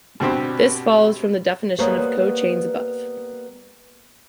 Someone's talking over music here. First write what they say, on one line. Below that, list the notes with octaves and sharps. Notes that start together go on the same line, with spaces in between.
This follows from the definition of cochains above.
G2 B2 C4 G4 C5
G3 A#3 B3 G#4 C5 C#5